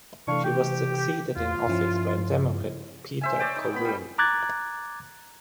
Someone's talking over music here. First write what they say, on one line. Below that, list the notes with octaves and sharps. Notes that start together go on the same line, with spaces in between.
She was succeeded in office by Democrat Peter Corroon.
C3 E3 A3 D4 F5 C#6
G4
E2 F4
G2 F3 C#4 E4
C5 E5 G#5
C#5 D5 G5
D#4
B3 B5
G3 G5
A#5 D6 F#6 G#6 A6